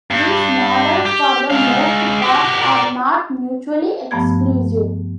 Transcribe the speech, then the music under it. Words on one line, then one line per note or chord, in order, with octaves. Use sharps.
These models, for the most part, are not mutually exclusive.
G2
G4
G#3 F5
F#4 G4
A#4 D5
G2 F3 A3 B3 G#6